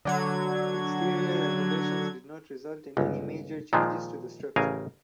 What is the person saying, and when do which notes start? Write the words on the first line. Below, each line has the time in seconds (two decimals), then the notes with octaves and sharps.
Exterior renovations did not result in any major changes to the structure.
0.05 D3 F#3 G#6
2.97 G1 C#2
3.73 A#2 D#3 F3 G#3
4.56 A1 C#3 A#4 F5 G#5